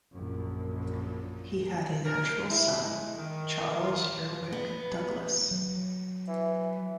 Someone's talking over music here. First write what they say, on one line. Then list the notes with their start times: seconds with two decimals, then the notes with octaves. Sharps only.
He had a natural son, Charles Eurwicke Douglas.
0.12 A#1 F#2
2.05 A#4
2.51 E4
2.83 G#3
3.17 D#3
3.83 F4
4.52 B3 B4
5.51 F#3
6.28 E3